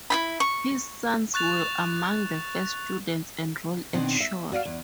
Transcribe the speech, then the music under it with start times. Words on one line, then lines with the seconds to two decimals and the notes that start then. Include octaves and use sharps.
His sons were among the first students enrolled at Shore.
0.10 E4 F4 B5
0.40 C#6
1.34 C#6 F#6 A6 F7
3.94 B2 D#3 C4 D4
4.20 E5
4.52 F#4 D5 D#5 F5
4.65 E2